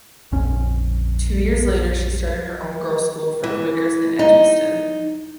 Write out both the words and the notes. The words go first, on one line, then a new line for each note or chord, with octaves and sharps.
Two years later she started her own girls school for Quakers in Edgbaston.
A#1 F2 C#4
E3
D#4